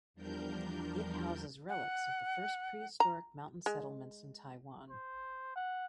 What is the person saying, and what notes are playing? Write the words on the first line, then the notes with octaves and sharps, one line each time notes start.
It houses relics of the first prehistoric mountain settlements in Taiwan.
E2 F3 G3 D4 A#4 G6
F#5
A#5
G#3
C5
F#5